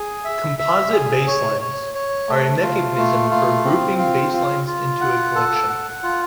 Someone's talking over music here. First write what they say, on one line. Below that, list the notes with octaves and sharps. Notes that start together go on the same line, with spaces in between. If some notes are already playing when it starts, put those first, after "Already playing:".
"Composite baselines" are a mechanism for grouping baselines into a collection.
Already playing: G#4
E5
E5
G#4
C#5
C#5
C#5
A3
F4
A3
F4
C4
F4
F4
F4
F#5
A4
F#5
F4